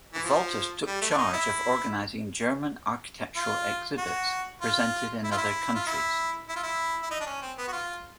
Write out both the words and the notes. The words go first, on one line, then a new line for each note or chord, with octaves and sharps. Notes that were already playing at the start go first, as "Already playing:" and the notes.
Wolters took charge of organizing German architectural exhibits presented in other countries.
E3
F3
G3
A3
D4
D#4
E4
F4
F#4
F4
E4
F4
E4
F4
E4
E4
F4
E4
E4
D#4
D4
C#4
C4
B3
F#4
F4